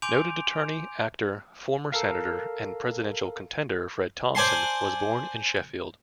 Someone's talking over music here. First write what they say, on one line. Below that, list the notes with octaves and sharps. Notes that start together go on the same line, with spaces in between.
Noted attorney, actor, former senator and presidential contender Fred Thompson was born in Sheffield.
G#5 C6 D6 G6 D7 F7
A4 A#4 F5
C5 D5 G#5 A5 C6